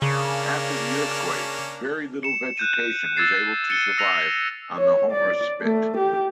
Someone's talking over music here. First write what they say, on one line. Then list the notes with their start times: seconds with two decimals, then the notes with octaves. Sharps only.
After the earthquake, very little vegetation was able to survive on the Homer Spit.
0.02 C#3 A#3 C#4 D4
2.23 C#7 E7
2.57 F#6 G6 D#7
3.16 E6 G#6 A6 C7 E7
3.69 A6 C#7 D#7 E7 G7
3.98 E6 A#6 F7
4.77 C#5
5.12 D5
5.62 A3
5.97 G4